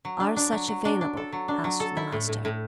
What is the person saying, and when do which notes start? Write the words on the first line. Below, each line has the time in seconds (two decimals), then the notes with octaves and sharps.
"Are such available?" asked the Master.
0.05 F#3
0.20 D4
0.36 D4
0.52 F#3
0.68 F#3
0.85 D4
1.01 D4
1.17 A4
1.32 F#3
1.48 D4
1.64 F#3
1.80 A4
1.97 E4
2.12 A2
2.29 A2
2.45 A2